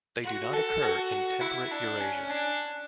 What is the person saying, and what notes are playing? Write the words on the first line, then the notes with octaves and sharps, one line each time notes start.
They do not occur in temperate Eurasia.
F#4
A4
F#4
E4
D4
C#4
D4